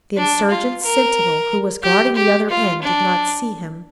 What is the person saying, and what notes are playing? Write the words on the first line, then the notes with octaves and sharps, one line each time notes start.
The insurgents' sentinel, who was guarding the other end, did not see him.
D4
F4
A#4
G4
G4
F4
D4